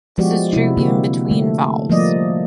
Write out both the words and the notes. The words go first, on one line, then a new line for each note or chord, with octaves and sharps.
This is true even between vowels.
F3 G#3 B3 F#4 G4 D5
C3 E4
D3 A#3 C4 F#4 G4
D3 A3
F3 G3 A3 A#3 D5 D#5